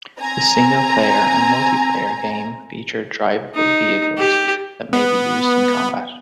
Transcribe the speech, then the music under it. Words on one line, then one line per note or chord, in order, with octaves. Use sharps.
The single-player and multi-player game feature drivable vehicles that may be used in combat.
C4 G#5 A#5
D#4
G4
B3